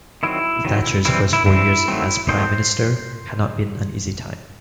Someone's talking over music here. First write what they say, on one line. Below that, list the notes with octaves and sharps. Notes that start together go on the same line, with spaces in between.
Thatcher's first four years as prime minister had not been an easy time.
D#3 F#3 C4 E4
D#3 F#3 C4
E3 G3 C4 E4
E4
E3 G3 C4 E4
D#3 F#3 A3 C4
D#3 F#3 A3 C4 C5